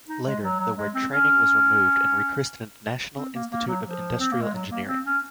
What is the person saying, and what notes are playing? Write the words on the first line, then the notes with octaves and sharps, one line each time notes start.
Later, the word 'Training' was removed and was rechristened 'National Institute of Industrial Engineering'.
D#4
G#3
F#3
F#3
G#3
C4
C#4
C4
A#3
A#3
F#3
F3
C4
A#3
G#3
F#3
A#3
C4
C#4